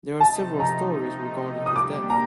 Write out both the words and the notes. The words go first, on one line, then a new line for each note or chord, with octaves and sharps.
There are several stories regarding his death.
C3 F3 A3 D#4 A5
A#5
D#6
A#2 G3 A#3 D4 G4 D6
A#5